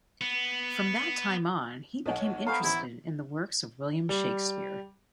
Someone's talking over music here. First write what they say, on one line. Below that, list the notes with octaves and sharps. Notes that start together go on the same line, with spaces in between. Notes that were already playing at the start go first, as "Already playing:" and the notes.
From that time on he became interested in the works of William Shakespeare.
B3
B1 A4 C#5 D#5 F#5 G#5
B3 A4 C5 F5 G#5 A#5 C#6 D#6
A1 E4 B5
G3